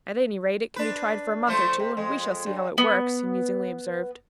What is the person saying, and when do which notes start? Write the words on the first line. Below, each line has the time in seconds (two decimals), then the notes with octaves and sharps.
"At any rate it can be tried for a month or two, and we shall see how it works," he musingly observed.
0.76 D4 B4
1.47 F3 A3 C5
1.79 C3
1.97 F2 G#3
2.46 G2
2.78 B3